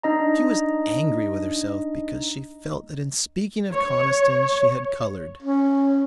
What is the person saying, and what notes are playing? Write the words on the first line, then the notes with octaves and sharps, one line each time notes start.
She was angry with herself because she felt that in speaking of Conniston she had colored.
D4 D#4 D#5 A#5
C#5
C#4